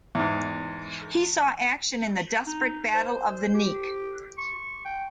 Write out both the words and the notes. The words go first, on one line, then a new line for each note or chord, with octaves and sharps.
He saw action in the desperate Battle of the Nek.
E2 G#2
D#4
C5
G4
C#6
G5